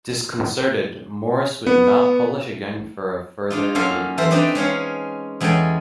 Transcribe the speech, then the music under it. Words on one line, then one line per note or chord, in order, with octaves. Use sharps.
Disconcerted, Morris would not publish again for a further eight years.
B3
D4 D#4 F4
F#2 A#3 C#4 A4 F5 C6
E3 A4 C5 E5 A#5 C6
C4 D4 D#4 B4 C5 D5
G#3 C#4 C#5 F5
E2 G#3 C#4 A4 G5 G#5